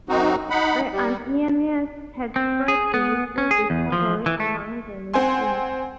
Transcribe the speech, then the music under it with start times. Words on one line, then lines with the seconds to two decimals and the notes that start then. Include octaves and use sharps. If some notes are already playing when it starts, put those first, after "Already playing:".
The Athenians had spread the useful discovery among the nations.
0.09 F#2 C4 D#4 F#4
0.50 D#4 F#5 B5
0.92 G3
2.36 C4
2.68 G#4
2.94 B3
3.38 C#4
3.51 G#4
3.70 E2
3.92 F3
4.26 E3
4.40 A3
5.14 C4 F#5 G#5 C6